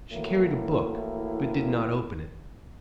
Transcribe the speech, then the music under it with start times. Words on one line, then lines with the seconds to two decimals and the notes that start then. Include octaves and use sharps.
She carried a book, but did not open it.
0.11 A2 E3 A#3 E4 F#4